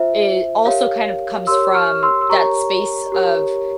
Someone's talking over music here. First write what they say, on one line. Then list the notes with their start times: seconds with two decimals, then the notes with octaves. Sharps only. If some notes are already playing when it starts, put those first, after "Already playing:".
it also kind of comes from that space of,
Already playing: F4 C5 E5
0.65 G4 A#4 C#5 F5
1.47 G4 A#4 C#5 C6 E6
1.75 C#6 F6
2.03 C6 E6
2.21 E6
2.29 G4 A#4 C#5 A#5 C#6
3.12 G4 A#4 C#5